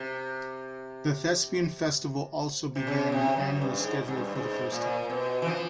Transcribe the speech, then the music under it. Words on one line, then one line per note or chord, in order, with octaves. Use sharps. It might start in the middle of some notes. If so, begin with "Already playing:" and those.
The Thespian Festival also began an annual schedule for the first time.
Already playing: C3
C3
C#3
C3
F#2
G2
G#2
G#2
G2
G#2
A#2
B2
E3
F3